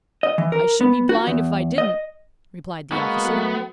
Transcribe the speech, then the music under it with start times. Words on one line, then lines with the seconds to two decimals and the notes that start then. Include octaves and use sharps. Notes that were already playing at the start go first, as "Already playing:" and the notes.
"I should be blind if I didn't," replied the officer.
0.23 D#5
0.38 E3
0.52 A#4
0.81 B3
1.09 F#4
1.27 E2
1.78 D#5
2.92 G#3 A#3 B3 F#4
3.26 F#3 A3